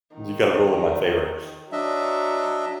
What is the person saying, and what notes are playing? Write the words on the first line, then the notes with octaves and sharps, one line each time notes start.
you gotta rule in my favor."
D#3
F#3 D4 D#5 E5